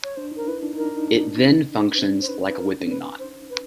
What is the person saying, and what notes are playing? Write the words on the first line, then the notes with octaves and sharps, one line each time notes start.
It then functions like a whipping knot.
C#5
D4 C5
D#4 A#4
E4 B4
D4
D#4 A#4
D4
D#4
D4
D#4
D4
D#4
D4
B4
C#4 C5
C5
B4
B4
A#4
B4
C5
B4